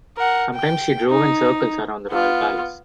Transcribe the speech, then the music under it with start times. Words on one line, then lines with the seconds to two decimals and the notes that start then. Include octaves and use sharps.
Sometimes she drove in circles around the royal palace.
0.17 A#4 F#5
0.55 G5
1.10 D#4
2.11 B3 F4